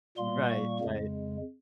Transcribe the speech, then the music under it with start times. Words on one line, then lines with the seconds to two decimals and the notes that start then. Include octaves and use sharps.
Right. Right.
0.17 A#2 G3 A#3 C6
0.49 C#6
0.79 F2 C#3 G#3